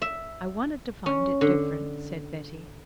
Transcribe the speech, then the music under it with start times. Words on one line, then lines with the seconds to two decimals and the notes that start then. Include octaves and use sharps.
"I wanted to find it different," said Betty.
0.02 E5
1.06 C#4
1.41 D3